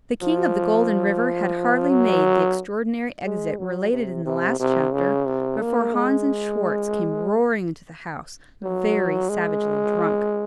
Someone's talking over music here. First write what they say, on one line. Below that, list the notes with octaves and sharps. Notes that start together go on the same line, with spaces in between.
The King of the Golden River had hardly made the extraordinary exit related in the last chapter, before Hans and Schwartz came roaring into the house, very savagely drunk.
F3
F#3
G#3
F#3
C3
C3
C3
C#3
C3
A#3
G#3
F#3
G#3